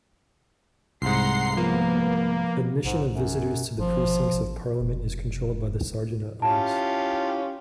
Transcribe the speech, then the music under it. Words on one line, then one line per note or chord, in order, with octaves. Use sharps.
Admission of visitors to the precincts of Parliament is controlled by the Serjeant-at-Arms.
C2 G#2 F#5 A#5 C6 C7
F3 A#3 B3
A#1 G#2
F#2
G#1 F3
A1
F1
C#4 E4 F4 G4 A5